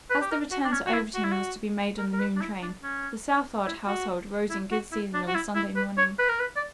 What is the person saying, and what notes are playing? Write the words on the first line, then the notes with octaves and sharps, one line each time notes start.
As the return to Overton was to be made on the noon train, the Southard household rose in good season on Sunday morning.
B4
G4
A#4
F#4
D4
C#4
F#4
E4
F#4
E4
F#4
A#4
A#4
B4
D4
E4
D4
C#4
E4
F#4
E4
F#4
E4
D4
F#4
E4
E4
B4
C#5
B4
A#4
B4
D5